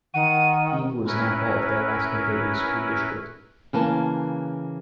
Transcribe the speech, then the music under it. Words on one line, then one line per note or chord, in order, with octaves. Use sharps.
Eagle is now part of the Alaska Gateway School District.
D#3 F#5 D#7
C#4 E4 A#4 B4
C#3 E3 A#3 A5